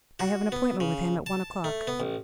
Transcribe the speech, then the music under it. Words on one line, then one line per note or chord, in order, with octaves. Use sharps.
I have an appointment with him at one o'clock.
F#4
B3
C#3
A5
A3
B3
A1